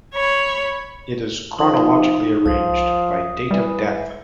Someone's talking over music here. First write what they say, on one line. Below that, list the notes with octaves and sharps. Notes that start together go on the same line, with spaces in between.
It is chronologically arranged by date of death.
C#5 B5
F3 D#4
C2 F3 D#6
E3 G3